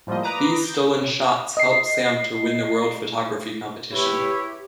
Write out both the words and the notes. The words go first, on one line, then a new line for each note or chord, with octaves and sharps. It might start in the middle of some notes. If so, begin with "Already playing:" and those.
These stolen shots help Sam to win the world photography competition.
A2 F3 G3 A#3 D#5
B4 A#5 D6 D#6
G6
D#5 C7
E4 G4 B4 C#5